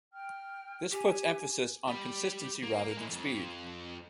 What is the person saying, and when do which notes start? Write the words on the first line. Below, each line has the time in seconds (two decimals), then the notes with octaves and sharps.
This puts emphasis on consistency rather than speed.
0.12 G5 F6
0.91 G4 G#5
1.88 G4 B5
2.62 A#3
2.97 G#3 E4
3.09 F2